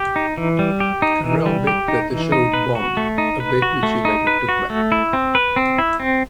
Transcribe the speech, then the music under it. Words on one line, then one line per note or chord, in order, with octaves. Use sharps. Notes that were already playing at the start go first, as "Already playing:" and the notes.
Carrell bet that the show would bomb, a bet which he later took back.
Already playing: G4
D#4
E3
G3
G4
D#4
E3
G3
G4
D#4
E3
D#4
B4
F#4
A3
D#4
B4
F#4
A3
D#4
B4
F#4
A3
E4
C4
B4
C4
E4
C4